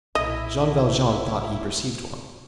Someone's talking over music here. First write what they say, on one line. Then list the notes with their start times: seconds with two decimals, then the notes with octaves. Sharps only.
Jean Valjean thought he perceived one.
0.15 B1 A#2 E4 D#5